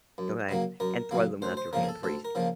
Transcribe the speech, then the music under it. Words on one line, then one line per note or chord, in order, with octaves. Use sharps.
Okay? And throw them without your hand freezing.
F#2
C#3 F#3 A#3
F#2 A#4
C#3 F#3 A#3
D2 C5
C5
C#3 F3 A#3 A#4
G#4
A4
D2 A4
A#4
C#3 F3 A#3